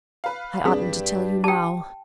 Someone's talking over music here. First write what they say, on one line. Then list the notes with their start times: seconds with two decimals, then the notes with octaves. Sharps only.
I oughtn't to tell you now.
0.24 B4 F5
0.65 G2 G3 C4 D4 G#4
1.44 G4 G5 A5 D#6